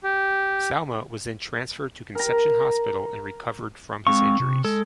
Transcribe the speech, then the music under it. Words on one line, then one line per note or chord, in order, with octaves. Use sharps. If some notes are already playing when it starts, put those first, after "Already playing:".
Salameh was then transferred to Conception Hospital and recovered from his injuries.
G4
A#4 A#5
G#3 C4 F5 C#6
C3
G#3 A4